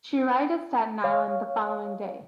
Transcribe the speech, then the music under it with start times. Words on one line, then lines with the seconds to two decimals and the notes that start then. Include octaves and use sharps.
She arrived at Staten Island the following day.
1.04 C#5 F5